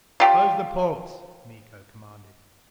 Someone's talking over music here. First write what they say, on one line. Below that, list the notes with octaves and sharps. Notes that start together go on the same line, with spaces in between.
"Close the ports!" Miko commanded.
F4 G4